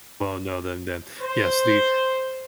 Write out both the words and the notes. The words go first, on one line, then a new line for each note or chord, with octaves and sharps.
Well, no, then then Yes, the
C5